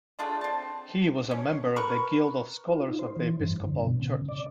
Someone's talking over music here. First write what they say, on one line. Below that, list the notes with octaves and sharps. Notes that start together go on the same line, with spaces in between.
He was a member of the Guild of Scholars of The Episcopal Church.
A3 D4 F4 G#4
C4 A5
C#4
A#4 B4 C#6
F4
D#4
C5
E3
G2
D3
B2
C#3
D5